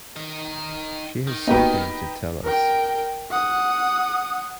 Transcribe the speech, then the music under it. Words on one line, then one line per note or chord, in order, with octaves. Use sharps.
She has something to tell us.
D#4 A#4
D#3
A#3 B3 D#4 F#4 G4 B4
A#4 G5
F#5 D#6